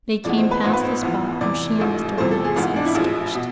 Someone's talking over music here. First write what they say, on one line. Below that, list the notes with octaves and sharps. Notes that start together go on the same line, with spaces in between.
They came past the spot where she and Mr. Lennox had sketched.
F2 E3 G#3 B3 D5
C5
B4
G#1 G#2 F3 B3 C5
B4
C5
F1 F2 E3 B3
E2 C3 E3 D5
A1 G#2 F3 A3
E2 C3 F3 A3 C5
A4
G#4
G#1 G#2 E3 G#3 B3 F4
D4
E4
A1 A2 F3 G#3
B2